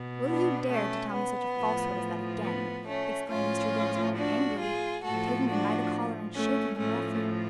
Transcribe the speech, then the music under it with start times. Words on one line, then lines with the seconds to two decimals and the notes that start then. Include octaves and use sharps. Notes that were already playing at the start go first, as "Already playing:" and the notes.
"Will you dare to tell me such a falsehood as that again?" exclaimed Mr. Dinsmore, angrily, taking him by the collar and shaking him roughly.
Already playing: B2
0.27 B3 D4
0.70 A3 C#4
1.13 B3
1.56 A2 F3
2.43 B3
2.87 A3 C#4
3.31 A2 F3 C#4 F4
4.18 D4 F#4
4.61 F4 G#4
5.04 A2 F3 F#4 A4
5.48 D4 F#4
6.35 A3 C#4
6.79 A2 F3 A3 C#4